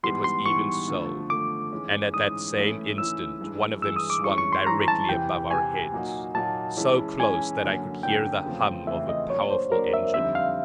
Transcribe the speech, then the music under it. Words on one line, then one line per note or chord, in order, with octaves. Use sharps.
It was even so; and at that same instant one of them swung directly above our heads, so close that I could hear the hum of a powerful engine.
G#2 E3 G3 B3 C6
C6
G#2 E3 G3 B3 C#6
D3 F3 A3
D3 F3 A3 D6
G#2 E3 G#3 C#4
G#2 E3 G#3 C#4 D#6
G#2 E3 A3 C#4 E4
G#2 E3 A3 C#4 E4 E6
G2 E3 G#3
G2 E3 G#3 E6
D#6
D6
G2 E3 G#3 C#4 E4 C#6
C#6
C6
G2 E3 G#3 C#4 E4 A#5
A5
E2 C3 E3 G5
E2 C3 E3 G#5
A#2 F#3 A#3 D#4 F#4
A#2 F#3 A#3 D#4 F#4 A5
E3 G#3 C#4 E4
E3 G#3 C#4 E4 G#5
F#2 D3 F#3 A#3 C#4
F#2 D3 F#3 A#3 C#4 G5
E2 C#3 F3 A3 C4
E2 C#3 F3 A3 C4 E5
D#5
F#3 A#3 D4 C#5
C5
F#3 A#3 D4 A#4
E5
F2 D3 G3 C4 D#4 E5
F5